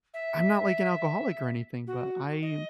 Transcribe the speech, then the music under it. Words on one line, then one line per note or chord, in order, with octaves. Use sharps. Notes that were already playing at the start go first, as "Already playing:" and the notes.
I'm not like an alcoholic or anything, but I
E5
F#4
D#5